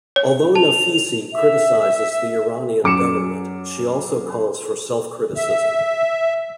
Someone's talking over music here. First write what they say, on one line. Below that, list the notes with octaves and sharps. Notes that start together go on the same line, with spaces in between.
Although Nafisi criticizes the Iranian government, she also calls for self-criticism.
C#5
A5 F7
E5
F#2 D6 C#7 E7
E5